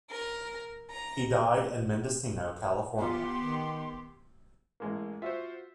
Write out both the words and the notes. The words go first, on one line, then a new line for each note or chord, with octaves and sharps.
He died in Mendocino, California.
A#4
A#5
B3 F4 G4 C6
D#3
A1 G#3 A#3
F4 F#4 C5 E5